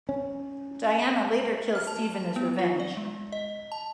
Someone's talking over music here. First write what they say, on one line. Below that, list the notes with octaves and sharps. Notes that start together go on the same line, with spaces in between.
Diana later kills Stephen as revenge.
C#4
F6
A5
A5
B3
F4
D5
G#3
D#5
A5